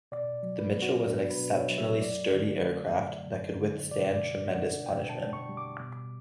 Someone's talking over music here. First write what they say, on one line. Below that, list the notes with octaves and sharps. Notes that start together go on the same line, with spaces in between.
The Mitchell was an exceptionally sturdy aircraft that could withstand tremendous punishment.
B2 D5
F#3
B4
B3
F#4
D4
B4
B2
C#5
F#3
E5
F#2 D5
D3
A3
F#2
F#2
D3
B2 D5
G3
D4 F#5
B2 G5
A5
B2
C#6
G3
D6
B2